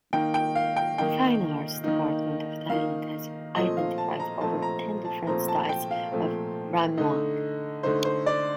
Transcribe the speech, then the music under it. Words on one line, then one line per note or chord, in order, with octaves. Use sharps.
The fine arts department of Thailand has identified over ten different styles of "ramwong".
D#3 A#3 D#4 G5
G5
F5
G5
D#3 A#3 D#4 G5
D#3 A#3 D#4
D#3 A#3 D#4 F5
A#2 F3 A3 C4 D#5
F5
A5
A#5
A#2 F3 A3 C4 A5
A#5
A5
A#2 F3 A3 C4 A#5
A5
G5
F5
A#2 F3 A3 C4
D3 A3 D#4 D#5
D3 A3 D#4 C5
C5
D5